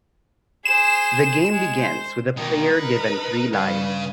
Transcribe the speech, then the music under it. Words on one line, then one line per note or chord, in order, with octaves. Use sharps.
The game begins with the player given three lives.
G#4 C5 E7
G#3
C5
B2 D#3 D#4 A#4
B4
G2 C#3 B4 F5